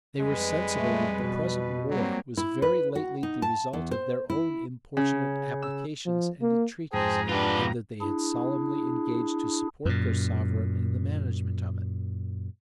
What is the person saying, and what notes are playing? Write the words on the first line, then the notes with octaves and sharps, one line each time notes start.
They were sensible, that the present war was very lately the result of their own importunate applications and entreaties, and that they had solemnly engaged to support their sovereign in the management of it.
F2 G3 G#3 B4
A3
B2
F#3 G3 A#3 C4
E4
B4
F#4
D#4
A5
E2
C5
E4
C#3
E6
F3
A#3
F2 G#2 G#4 C5 G5 A5 A#5
D4 F4 G4 B4
D4 E4 G#4
F#2 A#2